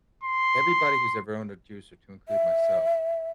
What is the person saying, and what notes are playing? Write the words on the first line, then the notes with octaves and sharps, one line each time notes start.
everybody who's ever owned a juicer, to include myself,
C6
E5